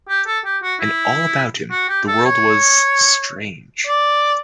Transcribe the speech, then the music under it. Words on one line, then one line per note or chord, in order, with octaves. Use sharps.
And all about him, the world was — strange.
G4
A4
G4
F#4
E4
F#4
G4
A4
C#5
D5